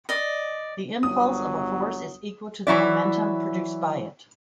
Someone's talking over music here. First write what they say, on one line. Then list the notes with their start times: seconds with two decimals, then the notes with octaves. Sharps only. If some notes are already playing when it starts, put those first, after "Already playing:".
The impulse of a force is equal to the momentum produced by it.
0.09 D5 D#5
1.03 G1 F#3 D#6
2.67 E3 F#3 E4 D5